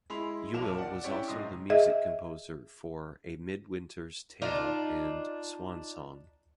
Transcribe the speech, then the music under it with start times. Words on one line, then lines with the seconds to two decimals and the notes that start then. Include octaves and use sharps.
Yuill was also the music composer for "A Midwinter's Tale" and "Swan Song".
0.10 G#3 E4 B5 C6 F7
0.54 B1 A#2 A#4 A5 E7 F7
0.78 D5 F#5
1.04 C#4 D4 E4 G4 C#5 D5
1.28 G#2 C3 D#5 C6 D#6
1.70 G#4 D#5 E5
4.42 D4 D#4 F4